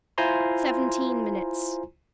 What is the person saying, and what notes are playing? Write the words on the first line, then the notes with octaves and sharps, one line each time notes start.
Seventeen minutes.
E4 F4 C5 G#5 A#5 C6